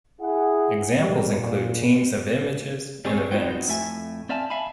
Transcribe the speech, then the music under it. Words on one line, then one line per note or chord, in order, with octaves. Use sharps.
Examples include teams of images and events.
E4 G#4 F#5
G#2 B2 G3
A#2
G3 C4 G#4 C#5
B3 C4 D#4 F4 F#4 G5
F2 A2 A3 E5 G#5
C4 D5 E5 F5 G#5 A5
E5 F5 G#5 A5 B5